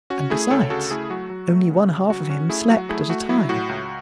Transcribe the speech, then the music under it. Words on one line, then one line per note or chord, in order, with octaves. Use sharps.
And besides, only one half of him slept at a time.
C#4 F#4
A3 E4 G#4
D2 A4 C#5
C#3 F#4 A4
A3 E4 G#4
F#3 F#4
F#3
A3
C#3
C#3
F#3 F#4
C#4 F#4
A3 E4 G#4
F#3 F#4
A3 E4 G#4
A3 F#4
F#3 E4
A2 F#4
C#2